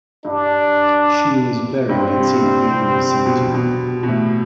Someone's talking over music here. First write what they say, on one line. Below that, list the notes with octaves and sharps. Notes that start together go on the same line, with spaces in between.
She was buried in St Gabriel’s Cemetery.
G2 D4
G2 C4
C3
G2
C3
D3
B2
B2
B2
A2